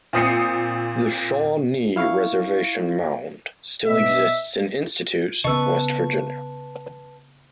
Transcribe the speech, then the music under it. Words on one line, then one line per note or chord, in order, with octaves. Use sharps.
The Shawnee Reservation Mound still exists in Institute, West Virginia.
A#2 C4 D#6 C7 C#7
E4 F5 C#6
B2 B4 D#5 E5
C#3 B3 B4 D#5 A5 C#6 E6